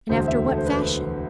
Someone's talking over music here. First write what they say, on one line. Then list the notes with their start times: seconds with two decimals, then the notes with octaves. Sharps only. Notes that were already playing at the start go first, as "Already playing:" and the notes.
"And after what fashion?"
0.09 E1 D2 D3 C5
0.28 E5
0.46 A4
0.57 C5
0.66 B4